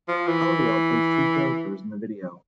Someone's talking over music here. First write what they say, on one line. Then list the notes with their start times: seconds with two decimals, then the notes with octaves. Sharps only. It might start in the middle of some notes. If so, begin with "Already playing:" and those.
Halliwell plays two characters in the video.
0.08 F3
0.27 E3